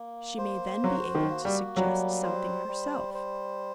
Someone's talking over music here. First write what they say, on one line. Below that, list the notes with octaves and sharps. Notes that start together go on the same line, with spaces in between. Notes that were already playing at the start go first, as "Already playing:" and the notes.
She may then be able to suggest something herself.
Already playing: A#3
C5
F#3 F#4
D#3
A#3
G3
F#3 G3
C5
G3
C5